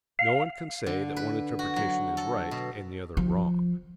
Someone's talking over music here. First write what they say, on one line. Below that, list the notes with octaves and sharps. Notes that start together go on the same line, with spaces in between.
No one can say that one interpretation is right and the other wrong.
F5
D3
B4
F#4
F#3
A4
B2
F3